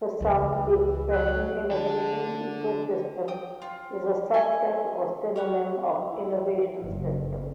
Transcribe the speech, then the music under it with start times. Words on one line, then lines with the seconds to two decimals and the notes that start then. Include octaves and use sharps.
For some, the expression 'innovation ecosystem' is a subset or synonym of 'innovation system'.
0.20 C#2 E3 F4
1.11 F#3 C#5 F#6
1.71 D3 A4
3.28 G5 D#6
3.62 F4
4.34 E4 A4 D#5 G#5
5.36 C#4 C#5 F#5
6.07 E4
6.83 F#1